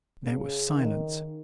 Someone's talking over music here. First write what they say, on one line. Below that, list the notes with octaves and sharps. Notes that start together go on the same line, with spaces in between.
There was silence.
C#3
D#3